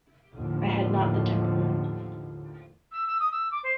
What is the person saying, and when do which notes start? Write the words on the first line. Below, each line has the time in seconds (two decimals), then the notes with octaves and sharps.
I had not the temperament.
0.35 D#2 A2 D3 F3
2.92 E6
3.07 E6
3.20 D#6
3.32 E6
3.52 D6
3.63 C5